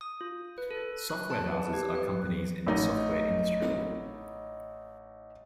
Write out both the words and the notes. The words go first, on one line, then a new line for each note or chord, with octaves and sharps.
Software houses are companies in the software industry.
D#6
F4
B4
A4
F#6
A5
B4
G4
B4
A1 D#4 D#5